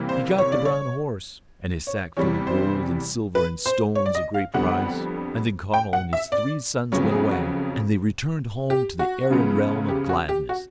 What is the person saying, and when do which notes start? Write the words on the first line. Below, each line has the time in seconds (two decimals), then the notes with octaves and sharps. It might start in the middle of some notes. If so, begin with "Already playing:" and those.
He got the brown horse and his sack full of gold and silver and stones of great price, and then Conall and his three sons went away, and they returned home to the Erin realm of gladness.
Already playing: C3 E3 G3 A#3
0.09 C5
0.38 C#5
0.52 D5
0.65 C#5
1.87 C#5
2.17 E2 C3 E3 G3 C#5
2.47 C5
3.35 B4
3.66 C5
3.95 C#5
4.06 D5
4.15 D#5
4.34 F5
4.54 F2 D3 G3 B3 F#5
5.74 G5
5.93 F#5
6.13 E5
6.32 D5
6.92 F2 C#3 F#3 B3 C#5
7.12 G#4
7.31 F#4
8.70 G4
8.99 F#4
9.30 F#2 C#3 F3 G#3 B3
9.88 G4
10.09 F#4
10.29 G4
10.49 F#4